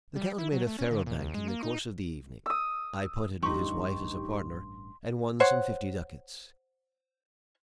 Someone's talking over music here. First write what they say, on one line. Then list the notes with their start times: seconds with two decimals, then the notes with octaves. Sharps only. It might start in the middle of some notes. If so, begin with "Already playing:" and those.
The count made a faro bank in the course of the evening, I punted with his wife as a partner, and won some fifty ducats.
0.16 G3
0.38 E4
0.52 F#3
0.67 A3
0.79 C#4
0.91 D3
1.06 A#2
1.19 D#2
1.34 G#3
1.48 A#3
1.63 D#4
2.46 D#6 E6
3.43 A1 G2 D#4 G4 C6 C#6
5.40 C5 C#5 F#5